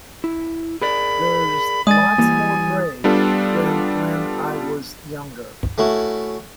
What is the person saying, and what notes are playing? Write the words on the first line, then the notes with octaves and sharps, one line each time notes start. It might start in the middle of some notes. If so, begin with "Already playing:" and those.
There's lots more grey than when I was younger.
E4
G#4 A#4 D5 B5
G#3 D5 G#5 D#6 A6
E3 G3 A#3
G3 B3 D4 F4 A4
A3 C#4 E4 F#4